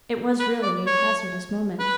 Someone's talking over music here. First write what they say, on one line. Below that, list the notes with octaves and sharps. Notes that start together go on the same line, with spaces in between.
It was really a hazardous moment.
B4
D5
C#5
B4